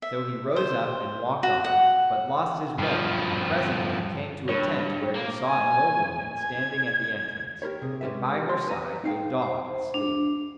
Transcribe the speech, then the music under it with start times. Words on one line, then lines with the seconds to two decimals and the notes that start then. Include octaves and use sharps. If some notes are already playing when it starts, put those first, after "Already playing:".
So he rose up and walked on, but lost his way and presently came to a tent, where he saw an old woman standing at the entrance and by her side a dog asleep.
0.02 E5
0.56 C5
1.43 F#4
1.65 F#5
2.78 G2 F3
4.49 G2 C#5
5.15 A#3
5.46 G#5
6.40 G#6
7.62 G4 A#4 B4 C#5
7.82 C3 G#4
8.01 G#3 C#4 G4 B4 E5
8.49 C#5 C6
8.67 B4 G#5 A#5
9.04 D#4 F5 G5
9.42 C5
9.94 D4